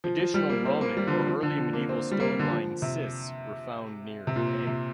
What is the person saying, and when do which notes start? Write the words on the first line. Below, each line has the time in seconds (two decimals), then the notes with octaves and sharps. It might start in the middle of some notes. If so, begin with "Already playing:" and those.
Additional Roman or early medieval stone lined cists were found near Egg.
0.04 F3
0.20 F3
0.34 G3
0.50 A#3
0.65 C4
0.81 A#3
0.97 G3
1.07 D3
1.12 F3
1.27 F3
1.43 D3
1.58 F3
1.73 A#3
1.89 C4
2.11 G3
2.20 A#3
2.39 D3
2.51 F3
2.82 C3
4.27 C3
4.36 A#2
4.67 C3